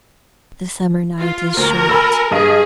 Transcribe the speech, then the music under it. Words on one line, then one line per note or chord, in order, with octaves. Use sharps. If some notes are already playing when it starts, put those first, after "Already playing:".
The summer night is short.
F4
D2 A#4
G#5 B5 E6
G2 G#4 D#5 D#7